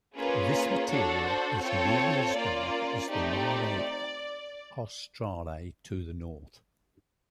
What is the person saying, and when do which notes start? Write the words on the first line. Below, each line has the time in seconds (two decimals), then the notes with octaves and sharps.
This material is nearly as dark as the Mare Australe to the north.
0.17 A#3 C#4 F4 G#4 B4
0.90 D4 F#4 A4 C#5
1.26 C5
1.63 C4 F4 A4 C#5
2.36 A#3 C#4 F4 D5
3.10 A3 C4 D#4 G4 D5